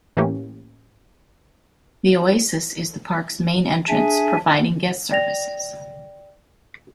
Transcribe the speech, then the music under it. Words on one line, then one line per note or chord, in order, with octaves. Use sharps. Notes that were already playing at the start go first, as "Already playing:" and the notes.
The Oasis is the park's main entrance, providing guest services.
A2 E3 A3 A#3 C#4 G4
D4 G#4 E5 G#5
D5 G5 A#6 F7